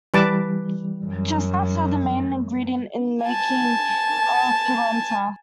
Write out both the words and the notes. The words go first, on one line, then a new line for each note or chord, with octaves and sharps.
Chestnuts are the main ingredient in the making of "pulenta".
E3 G3 B4 A5 D6
F#2
G#5 A5